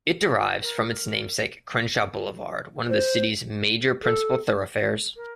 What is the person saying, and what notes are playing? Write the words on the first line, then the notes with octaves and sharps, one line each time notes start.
It derives from its namesake Crenshaw Boulevard, one of the city's major principal thoroughfares.
A#4
C5
A4
A#4